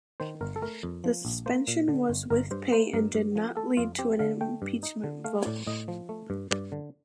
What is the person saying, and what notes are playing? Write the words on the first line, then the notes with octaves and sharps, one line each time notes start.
The suspension was with pay and did not lead to an impeachment vote.
D#3 C5
G1 A#4
A4
A3 A#4
F2
F3
A#1
A#3 C5
A#2
D3
G1
G1 A#4
G2 C5
A#3 C5
G2 A#4
G2
F3
A3 A4
F2 F4
C4 G4
D3 F5
A3 G5
G2
D#4
D3
A3 F5
A2 D5
A2 D#5
F3
A3
G2
G2 D5
D3